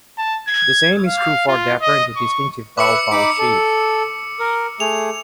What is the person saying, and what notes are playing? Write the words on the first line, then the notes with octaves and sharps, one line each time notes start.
The same is true for the apparently distinctive bow bow sheave.
A5
G#6
F5
F4
D#5
C#6
B4 E5 D6 E6 F#6 C#7
D#4 B5 D6 C#7
A4
A#4
A3 G#4 F7